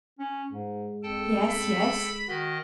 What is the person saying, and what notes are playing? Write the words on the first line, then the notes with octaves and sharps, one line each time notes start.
"Yes, yes!"
C#4
G#2 G#3
F2 A4 G5 A5
B5
D#3 F#4 D#5